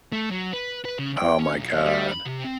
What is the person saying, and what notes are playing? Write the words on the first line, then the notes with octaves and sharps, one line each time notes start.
Oh my god.
A3
F#3
B4
B4
C#3
G5
C#4
B1
G3
B5
C3
C4